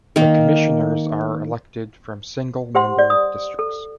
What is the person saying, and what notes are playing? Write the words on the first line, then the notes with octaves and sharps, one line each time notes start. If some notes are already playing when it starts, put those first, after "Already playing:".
The Commissioners are elected from single-member districts.
D#3 A#3
G4 C5 F#5 C6
D5
D#6
A4